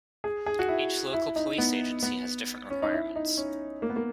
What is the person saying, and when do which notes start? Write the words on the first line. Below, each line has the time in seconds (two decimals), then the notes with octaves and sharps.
Each local Police agency has different requirements.
0.24 G#4
0.46 G#4
0.59 F#4
0.69 E4
1.13 E4
1.36 D#4
1.58 B3
2.03 B3
2.70 C#4
2.82 D#4
2.93 E4
3.16 D#4
3.37 C#4
3.82 A#3
3.89 B3
3.96 A#3